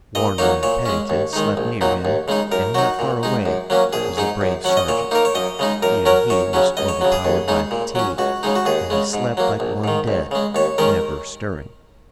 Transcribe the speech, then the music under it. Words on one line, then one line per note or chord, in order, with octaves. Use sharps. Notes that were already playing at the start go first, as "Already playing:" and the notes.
Warner and Pennington slept near him and not far away was the brave sergeant. Even he was overpowered by fatigue and he slept like one dead, never stirring.
A#2 D#5
F#3 A#3 D#4 C#5
A#2 C#5
G#3 C#4
D#2
D#3 G#3 D#4
A#1
A#2 F#3 D#4
D#2
C#3 G#3 D#4
F#2 A#4
F#3 D#4 F#4
A#2
G#3 D#4
F#2
F#3 A#3 C#4
A#1 G#4
G#2 G#3 D#4
F#2
F#3 C#4 F#5
D#5
A#2 C#5
A#3 D#4 A#4
C#5
F#2 D#5
C#3 G#3 D#4
F#2 A#4
F#3 C#4 A#4
F#2 C#5
C#3 F#3 C#4
C#2 D#5
C#5
C#3 F#3
G#4
D#2
C#3 G#3 D#4
A#2
F#3 C#4
C#2 F#4
C#3 G#3 D#4
F#4
D#2 G#4
C#3 G#3
G#2
F#3 A#3
A#1
G#2 D#3
C#2
C#3 G#3
D#2 C#5
D#3 G#3 C#4 A#4